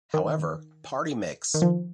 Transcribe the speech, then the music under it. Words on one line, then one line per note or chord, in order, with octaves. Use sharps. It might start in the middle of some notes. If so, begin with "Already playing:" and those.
However, Party Mix!
D#3
D#3
F3